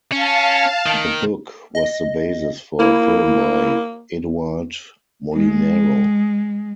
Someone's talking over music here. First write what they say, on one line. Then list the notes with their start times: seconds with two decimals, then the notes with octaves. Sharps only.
The book was the basis for a film by Edouard Molinaro.
0.12 C#4 F5 A5
0.86 D#3
1.75 D#5
2.79 A#3 E4
5.34 G#3